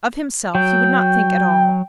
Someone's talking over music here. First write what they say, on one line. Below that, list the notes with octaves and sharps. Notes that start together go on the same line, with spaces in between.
Of himself he would not think at all.
F#3 G5